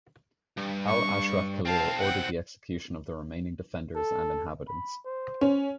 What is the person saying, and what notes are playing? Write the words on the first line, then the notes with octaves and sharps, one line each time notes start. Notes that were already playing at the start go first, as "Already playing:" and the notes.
Al-Ashraf Khalil ordered the execution of the remaining defenders and inhabitants.
G2
C#6
B1 C4 F5 A5
F#5 G5
A4
B5
C5
C#4